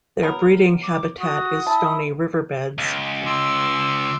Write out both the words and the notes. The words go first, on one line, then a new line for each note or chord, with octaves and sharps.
Their breeding habitat is stony riverbeds.
F#3 B3 A#4
D6
F#4 D#6
E4 A5
C#2
C6 D6 E6